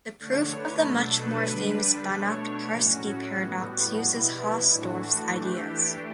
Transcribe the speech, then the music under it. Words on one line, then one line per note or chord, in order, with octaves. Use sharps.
The proof of the much more famous Banach-Tarski paradox uses Hausdorff's ideas.
D3 A3 D4 C#5
B4
B2 F#3 A3 D4 A4
B4
D3 G3 D4
B2 A3 D4 C#5
A2 F#3 C#4 F#4
A2 G3 B3
B2 G3 B3 E4
A2 E3 A3 D4 F#4
E3 A3 D4 G4